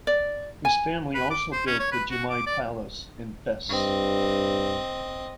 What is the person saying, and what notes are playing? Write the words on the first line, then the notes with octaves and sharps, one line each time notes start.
His family also built the Jamai Palace in Fes.
D5
G#5
B4
D6
C5
C#4
C#5
B4
F#4
D6
D5
G2 C4 D#5